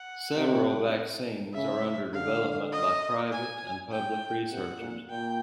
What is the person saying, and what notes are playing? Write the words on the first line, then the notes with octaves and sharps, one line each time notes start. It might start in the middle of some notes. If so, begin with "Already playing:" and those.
Several vaccines are under development by private and public researchers.
Already playing: F#5
C3
C#3 E5
D3 F5
D#5
G#5
G5
C3 F#5
A#2
A#2 G5